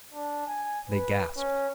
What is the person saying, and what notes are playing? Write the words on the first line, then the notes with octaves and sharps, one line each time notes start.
They gasped.
D4
G#5
B4
C#4